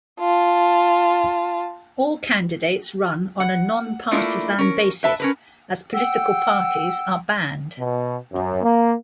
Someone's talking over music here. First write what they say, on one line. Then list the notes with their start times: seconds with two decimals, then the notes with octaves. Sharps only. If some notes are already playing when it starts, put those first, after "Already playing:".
All candidates run on a non-partisan basis, as political parties are banned.
0.20 F4 A5
3.40 F#5
4.11 A3 A#3 D4 E4 F4
4.59 C#4 A#4
5.03 B4 E5 A5
5.20 C#4 A#4 B4
5.93 F#5 G5 E6
7.79 B2
8.33 F#2
8.63 A#3